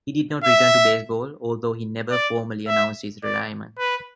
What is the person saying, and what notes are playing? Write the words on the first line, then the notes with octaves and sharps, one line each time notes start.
He did not return to baseball, although he never formally announced his retirement.
E5
D5
E5
D5
B4